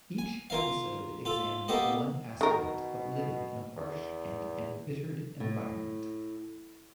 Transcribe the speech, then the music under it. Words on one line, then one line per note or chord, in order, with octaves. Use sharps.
Each episode examined one aspect of living in a harsh and embittered environment.
G#5
F4 A#4 F5
F4 A4
A#3 B3 G4 A4 D#5
B2 D#3 A#4
E2
A2